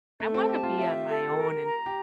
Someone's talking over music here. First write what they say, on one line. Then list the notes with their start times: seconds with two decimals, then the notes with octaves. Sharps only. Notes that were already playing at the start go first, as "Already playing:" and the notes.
I wanna be on my own, and
0.20 A3 A4
0.34 C4
0.49 G4 A5
0.63 F4
0.78 G4 E5
1.07 A4
1.35 A#4
1.65 A#5
1.86 G4